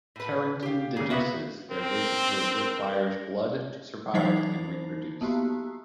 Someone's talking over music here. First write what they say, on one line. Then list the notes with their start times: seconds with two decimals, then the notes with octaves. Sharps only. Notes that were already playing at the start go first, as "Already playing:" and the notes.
Carrington deduces their visitor requires blood to survive and reproduce.
0.16 A2 B4
0.63 G4 F5
0.96 A#2 C#3 G#4
1.10 B3 F4 F#4 B4 E5
1.71 C4 A#4
2.41 A#4
4.14 E3 F#3 D#4 E4 C5 C7
5.21 A#3 B3 F#4 G4